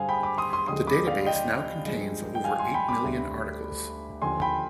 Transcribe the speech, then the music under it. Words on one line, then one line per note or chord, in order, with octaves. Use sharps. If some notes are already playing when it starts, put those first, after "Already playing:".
The database now contains over eight million articles.
Already playing: G2 D3 G3 G#4 C5 F5 G#5
G5 B5
B5 D6
C6 D#6
C6 D#6
D#2 D3 F3 G#3 C6 D#6
B5 D6
D5 F5
D#5 G5
G2 F3 G#3
G5
F5 G#5
G#5 C6
G5 B5
B5 D6
D2 D3 G3
D#2 D3 F3 G#5 C6
G5 B5